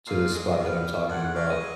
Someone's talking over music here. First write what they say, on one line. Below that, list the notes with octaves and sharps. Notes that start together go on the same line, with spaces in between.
to the spot that I'm talking about.
A#2 F5
G#3 D#5
B3 F5
A#2
F2 F#5
F#5
C#3 F5
D#5
F#3